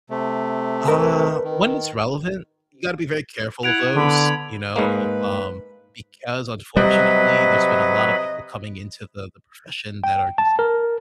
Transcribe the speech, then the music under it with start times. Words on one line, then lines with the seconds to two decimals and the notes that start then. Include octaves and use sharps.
Uh, when it's relevant, you gotta be very careful of those, you know, um, because unfortunately there's been a lotta people coming into the the profession that are just
0.10 C3 A3
0.88 A#4 B4
1.44 D#3
3.63 E4 F#5 G#6 D7 F7
3.95 D3 B3 B5
4.76 G#2 G#3 A#3 B4
6.77 C3 F#3 G3 B4 D#5 B5
10.04 G5
10.38 A5
10.59 A#4